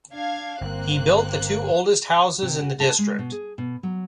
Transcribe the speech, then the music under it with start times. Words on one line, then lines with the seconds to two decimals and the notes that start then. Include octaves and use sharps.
He built the two oldest houses in the district.
0.12 D4 F5 G#6
0.61 G1 A#3 C4 F#6
2.42 C3
2.61 F#4
2.80 A5
2.99 G#3
3.19 B2
3.32 G#4
3.58 B2
3.83 F#3